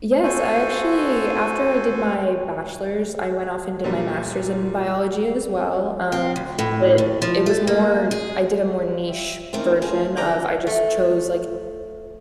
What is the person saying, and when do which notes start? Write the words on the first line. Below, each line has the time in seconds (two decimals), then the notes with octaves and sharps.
Yes, I actually after I did my Bachelor's, I went off and did my Master's in biology as well, um, but it it was more, I did a more niche version of I just chose like
0.23 F#4 A4 C5 G#5
3.84 A#2 D3 F#3 G3 A3
6.12 C4
6.36 D2
6.59 A2
6.98 D#2
7.22 F3
7.46 A3
7.67 A#3
8.11 G#4
9.08 E5 F5 G5
9.53 D#3 A3 A#3 C4 C#4 E4 A#4
9.82 F3 G#4
10.17 D3 E3 F3 A#5 D6
10.67 A3